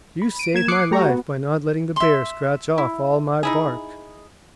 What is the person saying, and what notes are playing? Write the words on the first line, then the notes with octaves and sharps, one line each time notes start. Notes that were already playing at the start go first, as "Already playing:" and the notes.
"You saved my life by not letting the bear scratch off all my bark."
B5
D7 D#7
A#3 G#6 E7
D6 D#6 F#6 G#6 C7 C#7
A3 G4 A#5 C#6
B3 F#4
E5 C6
E4
D#4 E4 G#4